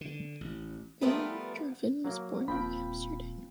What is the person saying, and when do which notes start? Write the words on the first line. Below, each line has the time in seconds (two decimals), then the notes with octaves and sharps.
Van Dreven was born in Amsterdam.
0.01 D3
0.41 A1
1.01 F3 G3 A3 B3 A#4 B4
2.05 F#3 A#3
2.48 D#1 F3 A#3 C4 F4 G5 B5